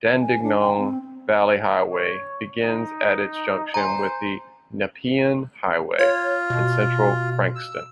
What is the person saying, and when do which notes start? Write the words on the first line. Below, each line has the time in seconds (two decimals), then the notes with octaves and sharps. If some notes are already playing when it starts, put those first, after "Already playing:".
Dandenong Valley Highway begins at its junction with the Nepean Highway, in central Frankston.
0.21 G#5
0.43 D4
0.60 G5
0.78 C4
1.88 C#5
2.61 D#4
3.74 C5 G#5 A#5
5.99 F4 C#5
6.50 B2
7.55 E6